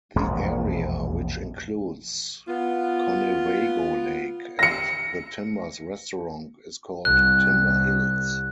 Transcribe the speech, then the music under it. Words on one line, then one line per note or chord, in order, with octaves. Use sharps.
The area which includes Conewago Lake and the Timbers Restaurant is called Timber Hills.
E1 A#1 F2 G#3
B3 F4
A#6 C#7
C2 F#6